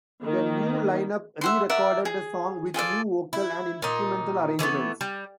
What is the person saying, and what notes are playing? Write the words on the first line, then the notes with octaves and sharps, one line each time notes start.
The new line-up re-recorded the song with new vocal and instrumental arrangements.
D#3 A#3
E5 F#5 C6
A#4 D5 E5 F#5
G#4
F4 G#4 A4 D5
E4
A#2 D#4
E3 G#3 A3 B3
G3